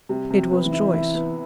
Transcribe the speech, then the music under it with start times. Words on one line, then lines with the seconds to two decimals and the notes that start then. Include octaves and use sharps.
"It was Joyce."
0.09 C3 G3
0.31 C3 G3
0.38 F#3
0.51 B3
0.65 E3
0.73 E4
0.93 E3 E4
1.14 B3